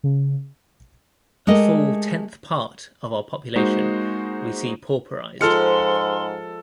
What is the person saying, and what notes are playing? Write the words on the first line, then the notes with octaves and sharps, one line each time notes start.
A full tenth part of our population we see pauperized.
C#3
G#3 A3 G4 A#4 D#5
G#3 A#3 D#4 F#4 C5
G#2 F3 G#3 A4 C6 F6 C#7